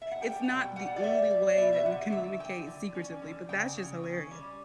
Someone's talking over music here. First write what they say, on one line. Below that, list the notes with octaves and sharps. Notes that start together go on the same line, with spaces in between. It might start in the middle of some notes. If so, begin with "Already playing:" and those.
it's not the only way that we communicate secretively, but that's just hilariou
E5
F#5
G3 G5
F#5
B2 G5
G3 F#5
D5
G3 E5
G3 D5
B2 E5
E5
D3 F#5
F#3 E5
D3 G5
D3
C#4
D3
C#3 G5
C#3
C#4
G3